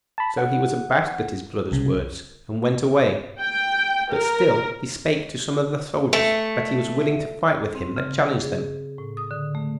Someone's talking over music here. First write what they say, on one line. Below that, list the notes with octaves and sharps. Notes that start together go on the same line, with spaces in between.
So he was abashed at his brother's words, and went away, but still he spake to some of the soldiers that he was willing to fight with him that challenged them.
A5 B5
F#5
C2 C#3
G5
A#4
A3
C4
C#3
A6
G#4
A2
D#6
D3
A3